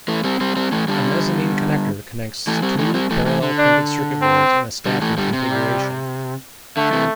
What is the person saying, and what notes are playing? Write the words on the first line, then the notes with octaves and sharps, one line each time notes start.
A mezzanine connector connects two parallel printed circuit boards in a stacking configuration.
E3 A3
G3 C4
G3 C4
G3 C4
E3 A3
D3 G3
E3 A3
G3 C4
E3 A3
G3 C4
E3 A3
E3 A3
D3
D4
C4
D3 G3
E3 A3
D3 G3
C3
G3
D3 A3
C3 E3